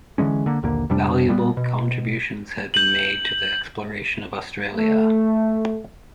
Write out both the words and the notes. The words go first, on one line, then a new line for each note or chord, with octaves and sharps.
Valuable contributions had been made to the exploration of Australia.
D3 E3 G#3 C#4
D3 A#3
A#1 D#2 D3 A#3
F2 C3 G3 D4
A#2 G3 B3
B2
G6 F#7
A3